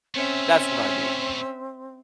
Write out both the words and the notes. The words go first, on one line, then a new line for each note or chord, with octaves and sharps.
That's what I mean.
A#2 A3 C4 C#4 E5